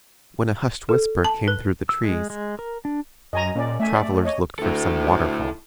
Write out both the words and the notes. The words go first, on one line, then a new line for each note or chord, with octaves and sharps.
When a hushed whisper came through the trees, travellers looked for some waterfall.
A4
A5
B4
E6
G#3
G#3
A#4
D4
F#2 D#5 G#5 A#5
A#2 C#4 D5
A3 E5 G#5
D5
C#5 D#5
D2 E4 A4